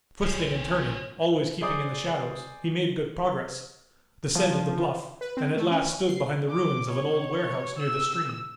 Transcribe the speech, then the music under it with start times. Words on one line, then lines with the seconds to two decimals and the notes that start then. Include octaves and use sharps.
Twisting and turning, always keeping in the shadows, he made good progress, descended the bluff, and at last stood behind the ruins of an old warehouse near the stream.
0.22 A#1 C#4 C5
1.61 G#4 C5 D5 D6 D#6
4.35 F3
5.21 B4
5.37 C4
5.57 A3
5.71 C#4
6.08 C7
6.51 D6
6.92 C#5
7.79 E6